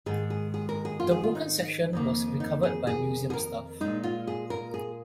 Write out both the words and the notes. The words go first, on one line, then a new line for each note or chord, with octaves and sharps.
The broken section was recovered by museum staff.
G#2 D#3 G#3 G#4
G#4
G#4
A#4
G#4
F4
G#4
F4
D#4
F2 D#3 A#3
D#4
G#4
G#4
G#4
A#4
A#2 G#3 D#4
F4
G#4
A#4
G#4